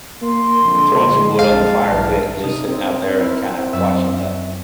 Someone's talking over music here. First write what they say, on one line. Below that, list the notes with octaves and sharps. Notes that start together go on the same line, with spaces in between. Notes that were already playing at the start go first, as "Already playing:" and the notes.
throwing some wood on the fire pit, and just sitting out there, and kinda watching the
A#3 C6
F2 D3 F3 G#3
G#3
A#1 F2 C4 F5 A5
B1 G#2 E3
C3 D#4 D#7
C4
E4 A#4
F#2 E5 E6